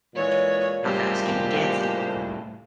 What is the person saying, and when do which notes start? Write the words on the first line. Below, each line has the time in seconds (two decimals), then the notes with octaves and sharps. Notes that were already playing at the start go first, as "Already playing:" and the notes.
How fast can you dance it?
0.15 A#2 E3 G#3 C#5
0.84 A2 G3 G#3 A#3 G4 C5